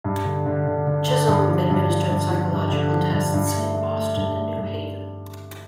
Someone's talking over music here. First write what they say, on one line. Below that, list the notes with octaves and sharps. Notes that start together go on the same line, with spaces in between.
Chisholm administered psychological tests in Boston and New Haven.
G2
D3
D3
D3
D3
D3
G2
F3
G2
F3
G2
F3
G2
D3
F3
G2
G2
A3
A3
A3
G2
A3
G2